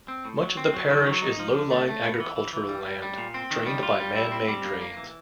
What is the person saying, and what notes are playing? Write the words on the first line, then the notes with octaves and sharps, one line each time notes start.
Much of the parish is low-lying agricultural land drained by man-made drains.
C4
A2
F#3
C4
F#3
D#3
F#3
D#4
F3
D3
A3
A3
B3
E3
E3
E3
G3
G3
G3
A#2
C4
D#3
G3
F4
G3
E4
C4
G3
A#3
A#3
E3